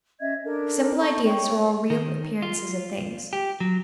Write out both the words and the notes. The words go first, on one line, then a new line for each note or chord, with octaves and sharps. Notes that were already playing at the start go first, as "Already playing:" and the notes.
Simple Ideas are all real appearances of things.
C#4 D#5 E5 G#6
D4 A4 A#4
D#4 A4 A5 C#6
C#5 G5 C#6
D#3
F4
G4
F#3